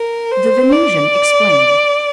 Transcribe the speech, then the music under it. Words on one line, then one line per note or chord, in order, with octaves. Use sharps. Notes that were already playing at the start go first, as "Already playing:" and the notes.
The Venusian explained.
Already playing: A#4
C5
D5